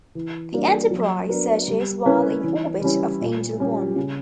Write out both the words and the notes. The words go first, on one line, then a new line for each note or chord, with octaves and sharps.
The "Enterprise" searches while in orbit of Angel One.
E3
G3 A#3 D4 F#4
F#3
B3 D4 F#4 A#4
G3
C#4 E4 B4
E3
G3 C#4 E4
A#2
G3 C#4 G4
C#3